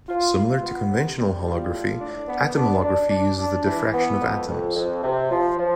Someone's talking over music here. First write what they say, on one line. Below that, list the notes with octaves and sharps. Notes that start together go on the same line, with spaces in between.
Similar to conventional holography, atom holography uses the diffraction of atoms.
F4
F4
B3
C3
G3
F4
A2
D4
B3
D4
D4
D4
D4
E3
B3
F2
F2
F2
C3
F3
F3